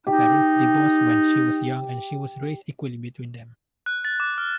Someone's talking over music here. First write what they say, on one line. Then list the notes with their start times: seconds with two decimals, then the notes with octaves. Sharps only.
Her parents divorced when she was young and she was raised equally between them.
0.07 D#4 G4
3.86 F#6
4.05 A6
4.20 D6
4.38 F6